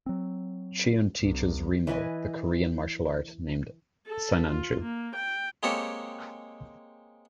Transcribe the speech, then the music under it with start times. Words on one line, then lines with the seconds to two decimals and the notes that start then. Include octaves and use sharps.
Chiun teaches Remo the Korean martial art named "Sinanju".
0.06 F#3 C4
1.20 C2
1.87 E3 B4 D#5 G#5
4.08 A4
4.51 F4
4.81 A#3
5.16 G5
5.63 G#3 A#3 C4 G4 A4 C#5